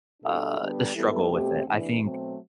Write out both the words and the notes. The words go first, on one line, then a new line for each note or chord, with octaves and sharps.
uh the struggle with it. I think
B2 G3 D4 F#4 A4
D3 G3 B3 D4 G4
E3 G3 B3 E4 A4
B2 A3 C4 G4
E2 C3 E3 A3 D4
B2 F#3 A3 C4